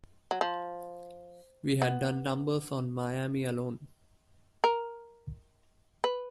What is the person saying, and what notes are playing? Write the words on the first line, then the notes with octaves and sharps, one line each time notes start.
We had done numbers on Miami alone.
F#3
F3
B3
A#4
B4